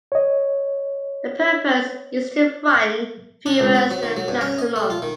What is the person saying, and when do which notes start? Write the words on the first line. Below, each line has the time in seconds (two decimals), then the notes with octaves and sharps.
The purpose is to frighten viewers to the maximum.
0.12 C#5 D#5
3.46 D4
3.60 C#2
3.75 C4
3.91 F#3
4.03 D#3
4.16 F#3
4.28 G2
4.41 C#4
4.59 D#5
4.76 A3
4.90 F4
5.02 D#3